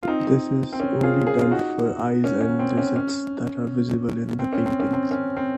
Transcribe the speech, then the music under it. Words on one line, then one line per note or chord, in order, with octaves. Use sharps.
This is only done for eyes and digits that are visible in the painting.
F4
C4 D#4
C4
C#4
F4 G#4
F4 G#4
F4
D#4 F#4
C#4
C#4
C4
C#4
C#4
C4
C#4
C4
C#4
C4
C#4
C4